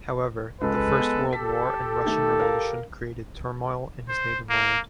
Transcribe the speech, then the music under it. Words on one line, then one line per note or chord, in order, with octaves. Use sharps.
However, the first World War and Russian Revolution created turmoil in his native land.
C#2 G#3 A4 B4
B3
G4 A4 B6
D#3 A3
A#4 F5
C5
A#3